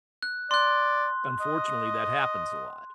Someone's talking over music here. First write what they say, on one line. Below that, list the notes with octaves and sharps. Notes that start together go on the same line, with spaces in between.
unfortunately, that happens a lot,
F#6
D5 C6 F#6
D#5